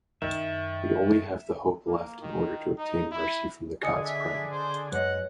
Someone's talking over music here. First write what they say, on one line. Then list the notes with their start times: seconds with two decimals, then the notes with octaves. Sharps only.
We only have the hope left in order to obtain mercy from the gods praying.
0.22 F#2 D#3 E5
1.87 A#3
2.21 D#3
2.78 D#4
3.12 E4
3.83 D3 G#4 D#5 G#5 D#6 C#7
4.06 E5
4.51 C5
4.92 F#2 G#3 B4 C#5 D#5 F#5